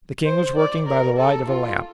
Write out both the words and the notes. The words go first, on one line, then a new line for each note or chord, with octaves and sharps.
The king was working by the light of a lamp.
C5
D5
A#4
A4
F4